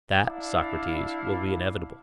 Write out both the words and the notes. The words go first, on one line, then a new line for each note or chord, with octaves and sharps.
That, Socrates, will be inevitable.
D4 E4 D5 F5